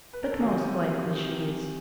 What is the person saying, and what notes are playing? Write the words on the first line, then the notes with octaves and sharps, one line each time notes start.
But most likely she is.
B4
A#4
A4
C3 D#3 F#4 G#4
C3 D#3